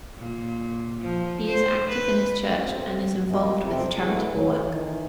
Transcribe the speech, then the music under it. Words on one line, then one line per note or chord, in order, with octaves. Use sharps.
He is active in his church and is involved with charitable work.
A#2
F3
C5
B4
D2 A2 C4
G2 A#2 F3 C4 G4 D#5
F2 C3
D3 E3 A3 G#4
F2 A2 E3 A3 F#4 C#5
D#3 E3